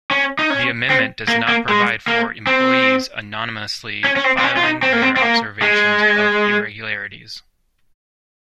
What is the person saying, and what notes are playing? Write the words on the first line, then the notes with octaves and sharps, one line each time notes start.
The amendment does not provide for employees anonymously filing their observations of irregularities.
C#4
D#4
C#4
C4
A#3
A#3
G#3
A#3
C4
C#4
C#4
C4
C4
C#4
F4
D#4
C4
A#3
C4
C4
A#3
G#3